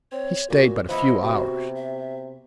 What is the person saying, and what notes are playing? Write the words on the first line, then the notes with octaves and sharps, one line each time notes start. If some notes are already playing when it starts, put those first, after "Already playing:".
He stayed but a few hours.
C4 C#5
A#2 F#4 G4
F3 B3 E4 B4 D#5
C3 F#4
E5